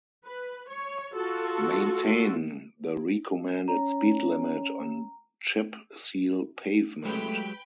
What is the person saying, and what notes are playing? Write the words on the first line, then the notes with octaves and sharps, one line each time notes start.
Maintain the recommended speed limit on chip seal pavement.
B4
C#5
F4 F#4 A4
C#4 A#5
F#3 G#3 A3 G4 B4 G5 B5